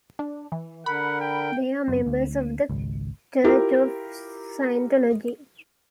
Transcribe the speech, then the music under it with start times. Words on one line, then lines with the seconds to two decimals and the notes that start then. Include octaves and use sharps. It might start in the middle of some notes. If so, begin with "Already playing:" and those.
They are members of the Church of Scientology.
0.19 D4
0.52 E3
0.86 D3 A#4 F#5 B5
1.21 G5
1.88 F#1 F#2 C4
2.06 D2
2.70 G#1 C#2
3.44 E4 F4 G4 A#4